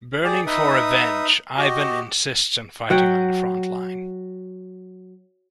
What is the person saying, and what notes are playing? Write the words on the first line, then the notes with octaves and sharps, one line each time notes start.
Burning for revenge, Ivan insists on fighting on the front line.
G4 G#4 D5
D#4 B4 E5 D#6
F#4 G4 D#5
F#3 F#5 G5